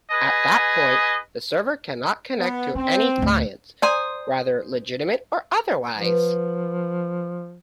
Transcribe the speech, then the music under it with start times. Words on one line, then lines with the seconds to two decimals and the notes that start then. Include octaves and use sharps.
At that point, the server cannot connect to any clients, whether legitimate or otherwise.
0.12 G#4 B4 D#5 G#5
2.38 B3
2.75 C4 C#4
3.18 D2 A2
3.82 C5 D5 G#5 A#5 C6 D#6
5.96 F3 B3 B4 F5